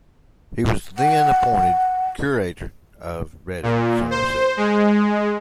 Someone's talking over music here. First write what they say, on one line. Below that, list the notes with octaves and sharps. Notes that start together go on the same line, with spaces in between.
He was then appointed Curate of Redden, Somerset.
F#5
A#2
C5
G#3